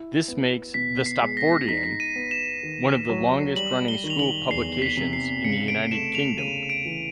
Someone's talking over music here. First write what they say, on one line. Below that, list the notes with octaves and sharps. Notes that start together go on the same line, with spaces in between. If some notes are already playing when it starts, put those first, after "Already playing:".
This makes "The Stopfordian" one of the longest-running school publications in the United Kingdom.
Already playing: E4
B3
B2 B6
C7
G#3
A#6
D#4 B6
D#7
B3
E7
D#3
F#3
G3 F#7
G7
D#3
F7
F#7
E2 C7
B6
C3
C7
C#3 C#7
D7
A3 E7
F7
C#3 D#7
D7
E3